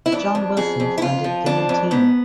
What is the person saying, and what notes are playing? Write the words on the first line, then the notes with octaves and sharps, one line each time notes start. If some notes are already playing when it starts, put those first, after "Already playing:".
John Wilson funded the new team.
E4
F2 D4
F2
F2 G#4
F2
E4
F2 F4
F3
F2 D4
F2
G#2 B3